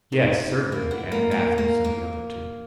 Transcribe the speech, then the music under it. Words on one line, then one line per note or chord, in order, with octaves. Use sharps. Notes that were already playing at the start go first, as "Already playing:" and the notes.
"Yes, certainly," added Athos and the other two.
D#3
E3
A#3
B3
A#3
A#3
A#3
A#3